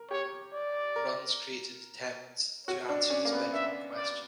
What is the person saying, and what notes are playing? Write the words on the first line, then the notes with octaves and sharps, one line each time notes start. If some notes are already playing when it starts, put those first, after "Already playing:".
Runs created attempts to answer this bedrock question.
Already playing: A#4
G4 C#5
D5
A#4
F#4 C#5
D4
C#4 D5
A#3
B3
D4 E5
D5